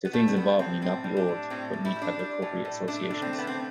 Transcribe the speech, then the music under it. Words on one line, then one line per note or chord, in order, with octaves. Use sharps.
The things involved need not be old, but need to have the appropriate associations.
B3
G3 A3
C4
G3 B3
A2 C4
A2 C4
G3
D4
A2
A2 C4
G3
E4
G3
D4
G3
A2
A2
A3 D4
D3
C4
A3
B3
C4